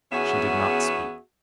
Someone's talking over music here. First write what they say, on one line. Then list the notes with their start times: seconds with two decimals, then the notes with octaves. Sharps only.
She did not speak.
0.12 E2 B3 C#4 F#4 G#4 E5